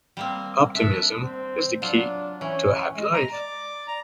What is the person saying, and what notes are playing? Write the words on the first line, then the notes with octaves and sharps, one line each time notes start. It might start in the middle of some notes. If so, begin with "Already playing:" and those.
Optimism is the key to a happy life.
G3 A#3 C4
D4 E5
C4
F#3 D4 F4
E3 C#4
G#3
A#5
D5
A#5